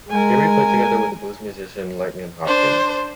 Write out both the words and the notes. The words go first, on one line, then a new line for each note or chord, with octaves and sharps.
Here he played together with the blues musician Lightnin' Hopkins.
G#3 A#4 G#5
D4 C5